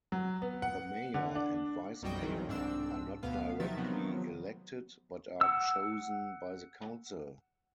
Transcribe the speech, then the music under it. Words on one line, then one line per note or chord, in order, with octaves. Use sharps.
The mayor and vice-mayor are not directly elected, but are chosen by the council.
F#3
B3
F#5
D3
D4
B1 F#2 G3 F#4 D#5 G5
D#3 E3 F#3 C4
C2 G#2 C4 D4 E6
D2 B2 B3 F5
D#3 F3 F#3 E5 A6
C3 D#3 F3 F#3 B3 C4
F#5 E6